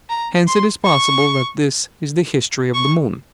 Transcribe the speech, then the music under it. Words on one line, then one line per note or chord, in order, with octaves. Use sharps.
Hence it is possible that this is the history of the moon.
A#5
C6
C#6
C#6